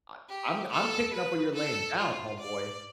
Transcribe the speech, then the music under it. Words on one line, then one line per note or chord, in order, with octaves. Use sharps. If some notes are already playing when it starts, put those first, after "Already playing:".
I I'm I'm picking up where you're laying down, homeboy.
G4
A4
B4
A4
F4
D5